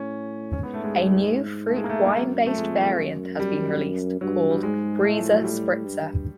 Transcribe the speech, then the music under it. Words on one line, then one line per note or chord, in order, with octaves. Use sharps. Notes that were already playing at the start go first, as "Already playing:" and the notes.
A new fruit wine-based variant has been released, called Breezer Spritzer.
Already playing: A2 C#4
G#2 C#4
B3
A3
G#3
G3
A3
G#3
A#3
A3
A#3
F#2
A3
F2 G#3
F#2
G3
G2 F#3
G3
G#2 G#3
A2 A3
F3
F#3
G3
G2